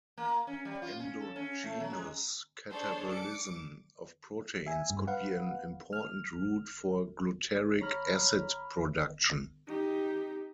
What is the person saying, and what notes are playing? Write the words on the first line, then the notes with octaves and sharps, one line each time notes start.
Endogenous catabolism of proteins could be an important route for glutaric acid production.
A#3
C#4
G3
F4
C#4
A4
C#4
A3
F#3
G#3
D4 G#4 A4 C5 C#5
D6 C#7
E5 G#5
G2
B4 F5 F#5
F6
C#5 A#5 B5 F6
D#4 G4